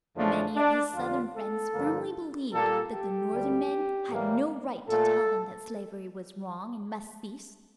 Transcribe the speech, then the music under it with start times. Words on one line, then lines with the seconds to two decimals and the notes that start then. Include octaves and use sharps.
Many of his southern friends firmly believed that the northern men had no right to tell them that slavery was wrong and must cease.
0.16 E2 C#3 F3 A3 D4
0.56 D4
0.94 F2 D3 G3 F4
1.34 A4
1.73 G2 D3 F3 A#3
2.52 A#2 G3 A#3 A4
2.92 G4
3.31 D2 D3 G3
4.10 A2 E3 G3 A#3
4.88 A#2 A3 A4